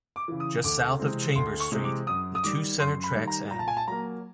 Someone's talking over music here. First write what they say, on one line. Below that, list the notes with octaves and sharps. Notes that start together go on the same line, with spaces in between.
Just south of Chambers Street, the two center tracks end.
D6
C#3 E3
D#6
D2 D6
C3 E3 G#3 C4
D2 C6
C#6
C3 E3 G#3 C4
D6
F#2 D#6
D#6
D#3 G3 D6
F#2 C6
B5
D#3 G3
A#5
A#2 A#5
A5
G#5
A5
F#3 A#3 A#5